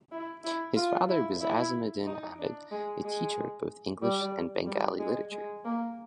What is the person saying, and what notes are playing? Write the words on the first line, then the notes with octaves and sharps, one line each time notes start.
His father was Azimuddin Ahmed, a teacher of both English and Bengali literature.
E4
E4
F4
E4
E4
D#4
D4
G#3
G#3
G3
G3
G#3
G#3
A#3